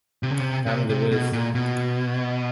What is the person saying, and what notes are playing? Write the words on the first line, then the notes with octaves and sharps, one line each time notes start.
I'm the Wiz!
C3
C#3
C3
C3
C3
B2
A#2
B2